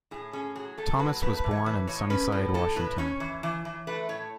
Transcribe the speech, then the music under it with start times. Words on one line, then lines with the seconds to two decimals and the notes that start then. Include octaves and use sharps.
Thomas was born in Sunnyside, Washington.
0.11 A2 G#4
0.33 C#4 G#4
0.56 F#3 G#4
0.78 A3 A4
0.88 A4
0.99 F#3 B4
1.22 A3 B4
1.37 B4
1.44 E3
1.51 C#5
1.66 E3 B4
1.87 A2 C#5
2.10 C#4 B4
2.32 A2
2.54 A2 A4
2.76 A2 B4
2.98 C#4 C#5
3.20 E3
3.43 E3
3.65 E3
3.87 A3 B4
4.09 A2 C#5